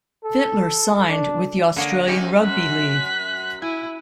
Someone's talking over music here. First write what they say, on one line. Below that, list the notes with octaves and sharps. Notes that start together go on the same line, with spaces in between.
Fittler signed with the Australian Rugby League.
A4
D4
D3 A#3 C#5 D#5
F#2 C#4 D#4 G4
F#2 F#6 B6
E4 G#5